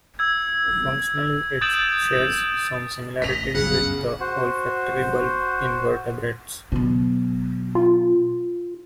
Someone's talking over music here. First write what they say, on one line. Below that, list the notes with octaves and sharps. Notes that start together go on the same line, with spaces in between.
Functionally, it shares some similarities with the olfactory bulb in vertebrates.
E6 G#6
D#6 G6 A6 D7 E7 F#7
A1 D#5 B6 F7
G1 C#2 F#2 C#3 F#5
F#4 C5
B2 F#3
F4